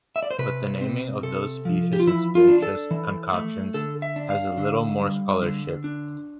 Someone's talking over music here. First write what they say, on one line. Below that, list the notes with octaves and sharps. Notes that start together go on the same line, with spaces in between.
But the naming of those specious and spirituous concoctions has a little more scholarship.
E5
D5
C5
C3 B4
C4
C3 A4
F3
G4
F4
E3 E4
F4
D4
A4
E3
A3
D3 A4
E5
D4
F5
D3
G3
D3
D4